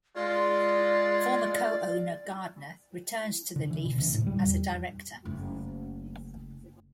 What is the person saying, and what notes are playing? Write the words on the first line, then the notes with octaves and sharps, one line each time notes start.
Former co-owner Gardiner returned to the Leafs as a director.
G#3 F4 D5
D3
E3
B2
D2
A2
G3
E2
F#1 A3